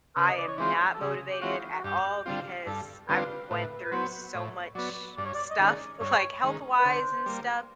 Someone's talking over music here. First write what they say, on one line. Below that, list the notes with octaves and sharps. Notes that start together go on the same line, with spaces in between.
I am not motivated at all, because I've went through so much stuff, like, health-wise and stuff,
C#3 B4
D#5
D5
C#5
E3 G#3 C4 F4 C5
A4
C#3 G#4
G4
E3 G#3 C4 F4 F#4
F#4
G2 G4
D3 G3 C4 F4
G2 A4
D3 G3 C4 F4 B4
A2 B4
B4
F#3 B3 C5
A2 C#5
F#3 B3 D5
G2 D5
C#5
D5
D#5
D#3 G#3 C#4 D5
G2 C#5
D#3 G#3 C#4
B4
D3 C5
G3 A#3